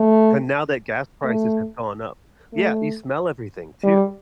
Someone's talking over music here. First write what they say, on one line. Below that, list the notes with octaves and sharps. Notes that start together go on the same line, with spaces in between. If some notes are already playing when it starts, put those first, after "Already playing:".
and now that gas prices have gone up Yeah, you smell everything too.
Already playing: A3
A3
A3
G3